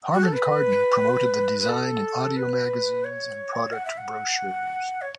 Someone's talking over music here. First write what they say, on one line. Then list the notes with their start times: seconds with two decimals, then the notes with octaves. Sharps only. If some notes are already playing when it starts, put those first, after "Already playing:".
Harman Kardon promoted the design in audio magazines and product brochures.
0.14 F#4
0.23 A4
0.33 B4
1.59 B4
1.68 A4
2.37 B4
3.04 C#5
3.73 F#5
3.85 E5
3.98 F#5
5.01 C#5